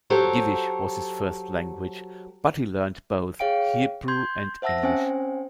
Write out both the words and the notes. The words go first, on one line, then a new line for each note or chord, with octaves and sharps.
Yiddish was his first language, but he learned both Hebrew and English.
F#3 G4 A4 C5 C#5
G#4 C#5 F5 G5 D7
C6 G6 G#6
C5 E5 F#5 A5 E6 A#6
C4 C#4 C5 G5 G#5